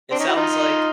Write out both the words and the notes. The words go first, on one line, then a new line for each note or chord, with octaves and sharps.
it sounds, like,
C4 D4
C#4 D#4
E4 F#4
D#4 F4